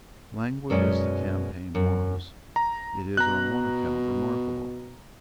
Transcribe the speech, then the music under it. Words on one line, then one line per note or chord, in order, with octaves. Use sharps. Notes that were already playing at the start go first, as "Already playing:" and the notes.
Languid as the campaign was, it is on one account remarkable.
F#2 B2 G#3 C#4 D5
F#2
A#5
B2 A#5 F#6